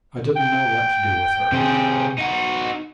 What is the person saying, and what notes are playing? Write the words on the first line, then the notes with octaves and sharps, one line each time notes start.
I didn't know what to do with her.
G5
C3 G#4
D#4 F#4